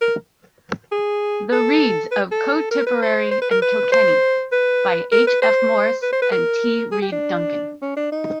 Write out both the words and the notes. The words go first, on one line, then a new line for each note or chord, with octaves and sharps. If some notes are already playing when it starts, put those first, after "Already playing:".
"The Reades of Co Tipperary and Kilkenny" By H F Morris and T Reade-Duncan.
A#4
G#4
A4
B4
A4
A#4
B4
C5
C5
B4
A#4
B4
C5
B4
A#4
B4
C5
B4
C5
B4
A#4
G#4
G4
D4
C#4
D4
D#4